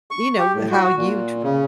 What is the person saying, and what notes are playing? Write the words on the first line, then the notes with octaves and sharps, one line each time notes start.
you know, how you tr
C#6
G4
A2
F#4
A#2
C#3